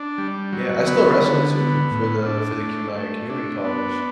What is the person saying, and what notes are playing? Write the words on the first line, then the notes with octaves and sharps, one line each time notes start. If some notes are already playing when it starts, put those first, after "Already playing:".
yeah, I still wrestle, too, for the for the commu my community college.
Already playing: D4
G3
F#3
B3
D3
B3
A2
D4
A3
A3
D4
B3